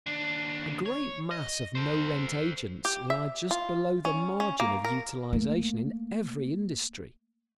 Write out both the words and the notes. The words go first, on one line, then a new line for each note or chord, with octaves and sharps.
A great mass of no-rent agents lie just below the margin of utilization in every industry.
D#2 D4
C#5
D#5
A4 C5
G4
E5
F4
C#4
C#4
A#3
A#4
A3 A#3